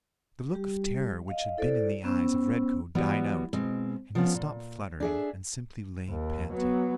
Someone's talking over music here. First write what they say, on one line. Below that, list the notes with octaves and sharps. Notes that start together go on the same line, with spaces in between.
The look of terror which had been in the eyes of Redcoat died out, and he stopped fluttering and simply lay panting.
G3 G4
D#5 F5
E4 A4 C5 D5
B3 C#4 C5 E6
E3 F#3 G3 B3 F#4
B2 G#3 C4
F3 B3 C#4
A#2
D4 G#4 E5
D#2
F#3 B3